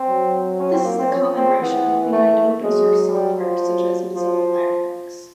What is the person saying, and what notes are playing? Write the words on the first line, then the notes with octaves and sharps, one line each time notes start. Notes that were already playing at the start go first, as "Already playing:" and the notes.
This is the common rationale behind open-source software, such as Mozilla Firefox.
Already playing: C4
F#3
C#4
C4
A#3
C4
F3 C#4
C4
E3 B3
A3
F#3 G#3
G3
F3
F#3
F3